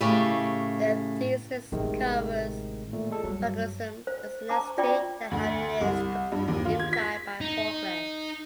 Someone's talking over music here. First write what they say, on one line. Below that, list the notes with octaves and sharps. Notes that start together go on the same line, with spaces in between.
The thesis covers plagiarism as a necessity and how it is implied by progress.
A2 C#3 G4 C#5
A1 C3 D#3 G#3
A#2 A3
G#3 A4
G2 F#3
C5
C5 A5 A#5 C#6 D6
F4 D5 G5 B5 C#6 D6
D2
C2
G2
D#2
F4
G#6
B6
D#4